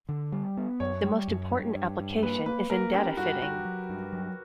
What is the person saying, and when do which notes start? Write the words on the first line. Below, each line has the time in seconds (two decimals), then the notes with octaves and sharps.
The most important application is in data fitting.
0.09 D3
0.32 G3
0.57 B3
0.80 F#2 C#5
1.04 G3
1.28 F#2
1.52 G2
1.75 G2
2.00 G2
2.23 A#3 B4
2.46 A#3 B4
2.70 A#3 A#4
2.94 C#4 G4
3.17 G2 F#4
3.41 G2 F#4
3.65 F#3
3.90 G2
4.12 F#3